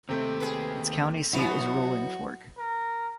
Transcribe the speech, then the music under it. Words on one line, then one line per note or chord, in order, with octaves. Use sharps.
Its county seat is Rolling Fork.
D#2 C3 A3 C4 G4
G#4 B4
E3 F#3 B3 D#4 E4 F#4
A#4